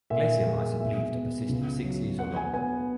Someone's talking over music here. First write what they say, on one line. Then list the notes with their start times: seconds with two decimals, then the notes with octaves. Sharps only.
Glacier mice are believed to persist for six years or longer.
0.10 A#2 E5
0.46 G#3
0.80 B2 E5
1.14 B3
1.49 C#2
1.84 F#3
2.19 B3 F#5
2.36 G#5
2.54 B3 G#5